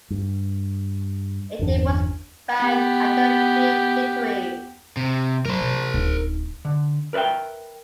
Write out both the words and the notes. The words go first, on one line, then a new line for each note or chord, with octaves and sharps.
It too was banned after three victories.
G2
G1 E2 D4
B3 G4
C3
F#3 A#4 C5
C3
D1 D#4
D3
A#4 B4 D5 E5 G5